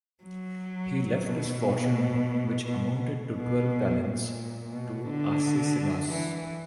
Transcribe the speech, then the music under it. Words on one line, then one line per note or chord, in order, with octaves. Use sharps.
He left his fortune, which amounted to twelve talents, to Arcesilaus.
F#3
B2
B2
B2
A#2
B2
D3
E3